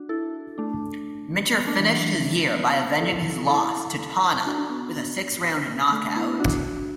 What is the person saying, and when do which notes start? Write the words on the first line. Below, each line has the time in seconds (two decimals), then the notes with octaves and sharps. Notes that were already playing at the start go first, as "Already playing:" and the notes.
Minter finished his year by avenging his loss to Tonna with a six-round knockout.
Already playing: D4 F#4
0.09 E4 A4
0.58 A3 D4
1.55 B3
1.67 A3 D4
1.80 E3
1.92 F#3
2.53 B3
3.01 E4 A4
3.48 E4 A4
4.46 D4 F#4
4.58 D4
4.70 B3
5.91 A3 D4
6.15 B3 E4
6.40 D4 F#4